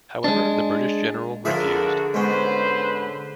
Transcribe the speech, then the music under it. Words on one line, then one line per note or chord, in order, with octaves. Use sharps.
However, the British general refused.
G#3 D4
D3 F3 D4 E4 F#4 G#4 A#4 E5
G#2 B2 C#4 B4 C5